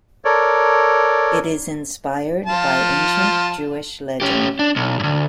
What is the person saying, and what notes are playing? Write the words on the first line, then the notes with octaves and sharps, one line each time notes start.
It is inspired by ancient Jewish legend.
A4 A#4 C#5 D5
F3 F4 A5
C#4 G4
D4
B1
D2 G2